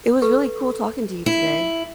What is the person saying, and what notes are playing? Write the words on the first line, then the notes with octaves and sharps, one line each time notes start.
it was really cool talking to you today,
A4 B4 C#6
E4